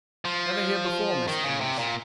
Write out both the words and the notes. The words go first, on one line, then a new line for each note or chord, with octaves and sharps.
Ever here before, Mr Venus?'
F3
D#3
C#3
C3
A#2